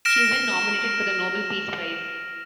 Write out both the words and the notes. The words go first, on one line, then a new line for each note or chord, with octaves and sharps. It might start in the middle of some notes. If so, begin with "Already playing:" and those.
She has been nominated for the Nobel Peace Prize.
F6 A#6 D7 E7